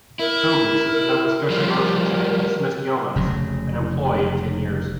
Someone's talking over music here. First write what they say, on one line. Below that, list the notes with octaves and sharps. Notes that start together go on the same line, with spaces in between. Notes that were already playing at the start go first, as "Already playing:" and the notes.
Sobeys, a Nova Scotia grocery chain, dismissed Yeomans, an employee of ten years.
E4 A#4
F3 G3
A#4
F1 C#3 F#3